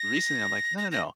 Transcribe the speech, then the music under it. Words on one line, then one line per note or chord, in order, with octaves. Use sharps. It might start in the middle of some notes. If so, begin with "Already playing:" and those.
recently, I'm like, "No, no, no,
Already playing: A#6
A#6
A#6